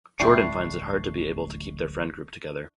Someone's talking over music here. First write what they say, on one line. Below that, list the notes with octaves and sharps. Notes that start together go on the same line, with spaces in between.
Jordan finds it hard to be able to keep their friend group together.
D1 A1 G#3 D4 E4 G5 C#6 C7